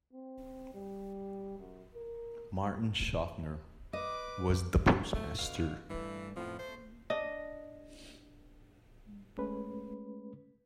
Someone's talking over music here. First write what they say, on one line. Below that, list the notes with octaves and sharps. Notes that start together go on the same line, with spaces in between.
Martin Shofner was the postmaster.
C4
G3
F#2
A#4
B4 D#5 D6
A3
B2 D3 F5
G2 E3 A3
F2 A2 F3 B3
A3 C5
D4 D#5
G#3 A3 C#4 B4